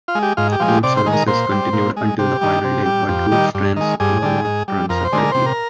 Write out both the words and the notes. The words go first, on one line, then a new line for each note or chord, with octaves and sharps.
Goods services continued until the final day but goods trains were not run separately.
F4
G#3
G4
G#2 F4
G4
F3 G#3
G4
C3 D5
C5
D#3 G#3
A#4
A#2 C5
G3
A#2
G#3
C3 G4
D#3 G3
C3
G3
F2
D#3 G3
G2
D#3 G#3
G2 G#4
D3 G3
G#2
G3
F2 A#4
C5
D3 G#3
A#4
C3 C5
A#4